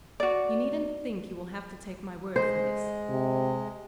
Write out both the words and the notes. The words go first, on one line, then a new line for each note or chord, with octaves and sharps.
You needn't think you will have to take my word for this.
F#4 D5
G#3 C5 D#5
C3